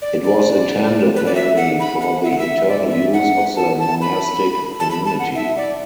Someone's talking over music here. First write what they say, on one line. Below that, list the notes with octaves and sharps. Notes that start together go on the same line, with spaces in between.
It was intended mainly for the internal use of the monastic community.
D5
D5
B4
D5
E5
F#5
B5
F#5
E5
F#5
E5
D5
E5
F#5
A5
A5
B5
A5
B5
A5
F#5
E5
D5